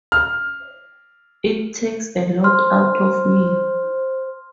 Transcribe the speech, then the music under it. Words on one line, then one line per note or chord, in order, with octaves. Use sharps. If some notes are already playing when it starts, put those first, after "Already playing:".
It takes a lot out of me.
F6
C5 C6 F6